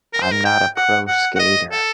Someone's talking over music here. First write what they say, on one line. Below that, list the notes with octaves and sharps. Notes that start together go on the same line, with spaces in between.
I'm not a pro skater,
A#4
C5
A#4
G5
F#5
F#5
F#5
D#5
A4